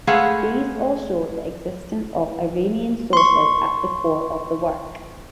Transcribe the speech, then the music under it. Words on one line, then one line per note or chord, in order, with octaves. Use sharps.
These all show "the existence of Iranian sources at the core of the work".
G#3 A3 G#4 B4 F5 F#5
C6 C#6